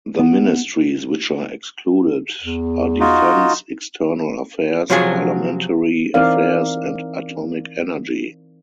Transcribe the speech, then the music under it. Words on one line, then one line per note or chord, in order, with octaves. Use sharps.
The ministries which are excluded are defence, external affairs, parliamentary affairs and atomic energy.
B3
E2
D#4 F4 F#4
C3 F3 F#3 F4 F#4 G#4
E3 C4 D#4 A#4 D5 F5